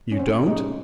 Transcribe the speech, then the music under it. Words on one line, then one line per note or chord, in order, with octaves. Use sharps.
"You don't?"
C#4
C4
C3 G3 C#4 D#4 G#4